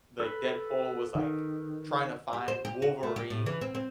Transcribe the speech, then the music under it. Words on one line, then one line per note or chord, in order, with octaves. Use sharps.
like, Deadpool was, like, tryna find Wolverine
A4 B4 B5
D#3
G4
C5
G4
F#4
A3
G4
A2
E3
C4
C4